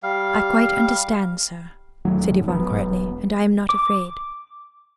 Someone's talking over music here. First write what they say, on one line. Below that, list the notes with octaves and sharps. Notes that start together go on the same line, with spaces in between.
"I quite understand, sir," said Yvonne quietly, "and I am not afraid."
G3 F5
D#1 D#3 F#3 A3
E1 E2 F#3 B3
D6